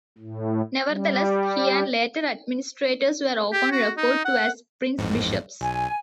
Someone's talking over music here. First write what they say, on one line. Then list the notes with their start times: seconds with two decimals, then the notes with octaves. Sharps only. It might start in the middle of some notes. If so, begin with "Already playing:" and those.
Nevertheless, he and later administrators were often referred to as prince-bishops.
0.18 A2
0.88 G3
3.53 G4
3.72 F#4
3.97 D#4
4.25 F#5
4.98 A1 F2 G#2
5.61 B1 G#5